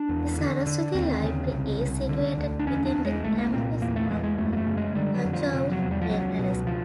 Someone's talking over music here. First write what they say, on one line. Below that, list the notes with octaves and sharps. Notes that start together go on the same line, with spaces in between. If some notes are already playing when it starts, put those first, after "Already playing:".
The Saraswati Library is situated within the campus of the Thanjavur Palace.
Already playing: D4
E2
D3
D3
D#2 C4
C#3
C2
C2
D3
D2
D4
E2 C#4
D4
E2
G#3
C2 A3
A#3
A#2 C4
E2 A#3
A3
E2 G#3
G#3
F#2 A3
A#3
A3
C#3
G#3
D3 G3
F#3
F2
F3
C3 F3
F#3
E2
G3
F3
C#2 F#3
B2
F3